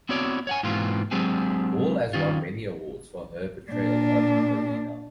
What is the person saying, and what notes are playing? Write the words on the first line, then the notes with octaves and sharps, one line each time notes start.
Hall has won many awards for her portrayal of Marlena.
B3 C4 E4 F#4 C#5 D5
C#5 F#5 G#5
G#2 B2 E3 A#3 C4 F4
F#3 G#3 C4 D4 G4 G#4
D#3 C#4 F4
A#2 D4